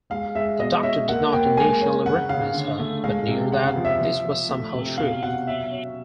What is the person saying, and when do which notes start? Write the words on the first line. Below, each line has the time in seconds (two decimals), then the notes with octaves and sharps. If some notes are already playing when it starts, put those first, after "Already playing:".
The Doctor did not initially recognise her, but knew that this was somehow true.
0.10 G#3 F5
0.35 G#3 E5
0.59 B2 D#5
0.83 C#4 E5
1.08 A#3 F#5
1.33 A#3 G5
1.57 G#3 G#5
1.81 C#4
2.06 C#3 F#5
2.29 C#3 F5
2.54 D3
2.79 A3
3.04 G#3 F5
3.28 C3
3.52 C#3 F#5
3.68 F5
3.76 F3
3.85 E5
4.01 F3
4.25 F3
4.49 A3
4.74 C3
4.98 B2 F5
5.22 B2 F#5
5.47 F#3 E5
5.71 C#4